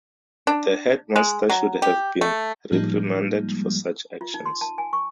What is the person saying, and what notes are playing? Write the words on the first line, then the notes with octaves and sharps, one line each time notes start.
The headmaster should have been reprimanded for such actions.
D4
G#3
F#3
G4
A3
A2 F3 G3 G#3 A#3 D#4
F4
D#4
C6
A5
G#5
C#6